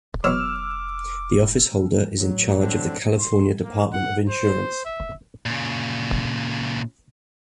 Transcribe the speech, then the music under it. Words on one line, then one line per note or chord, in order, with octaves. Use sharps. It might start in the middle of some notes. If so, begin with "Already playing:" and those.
The officeholder is in charge of the California Department of Insurance.
F1 B2 E3 F#3 D6 E6 F6 E7
A1 F#3
D3 C4 D4
C6
A#3
F#5
C5
E5
A#2 C#3